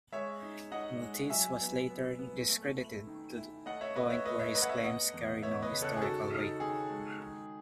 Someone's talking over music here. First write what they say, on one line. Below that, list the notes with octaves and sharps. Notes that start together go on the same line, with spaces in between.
Miltitz was later discredited to the point where his claims carry no historical weight.
G#3 C#5 E5
D#4
D#4 D#5 F#5
G#3
F#3 E5 G#5
B3
B3
B3
A3
E4
D#3
E4
A3 D#5 F#5
C#5 E5
E4 B4 D#5
C#5 E5
A3 B4 D#5
C#5 E5
A3 B4 D#5
F#5
C#5 E5
B3 D#5 F#5
E2
B3 C#5 E5
B4 D#5
C#3
A4 C#5
G#4
D#3 F#4 A4
D#4
D#3 G#4
G#3
D#3